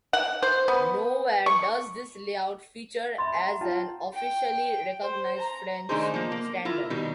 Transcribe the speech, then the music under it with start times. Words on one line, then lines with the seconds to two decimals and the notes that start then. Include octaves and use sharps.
Nowhere does this layout feature as an officially recognized French standard.
0.13 F#5
0.42 C5
0.68 B3
1.46 C#6
3.18 E5 B5 C6 A6
3.39 F#5 A#5
3.61 F4 G5 A5
4.14 G5
5.02 C5
5.37 A#5
5.89 D#3 A3 D4 D#4 G#4 C5
6.14 F3 A#3
6.32 A#3
6.65 E4 F4 A#4
6.90 B2 D#3 G3